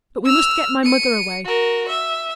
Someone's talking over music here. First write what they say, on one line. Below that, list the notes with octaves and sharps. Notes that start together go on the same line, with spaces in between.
But we must get my mother away.
E6 F6
C#7 D#7
F#4 A#4
E5